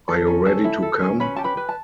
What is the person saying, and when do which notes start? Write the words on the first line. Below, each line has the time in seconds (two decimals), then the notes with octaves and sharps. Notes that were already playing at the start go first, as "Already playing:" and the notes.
Are you ready to come?
0.09 A4
0.27 C#4
0.45 C#4 A4 A5
0.64 E4
0.82 A4
1.02 C#4
1.20 C#4 B4 B5
1.36 G4 A5
1.44 B4 B5
1.57 B4
1.69 A5